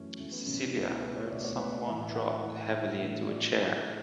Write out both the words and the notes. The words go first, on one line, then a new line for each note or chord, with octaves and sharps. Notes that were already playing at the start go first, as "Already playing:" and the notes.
Celia heard some one drop heavily into a chair.
Already playing: F#2 E3 A3 C#4
F#2 E3 A3 C#4
B3
C#4
D4
C#2 B2 A3
E4
B4
C#5
C#2 B2 A3 D5
C#5
B4
D5
A2 E3 A3 E5
E5
F#5
E5
A2 E3 A3 F#5
F#5
E5
E5
A2 E3 A3 E5
D5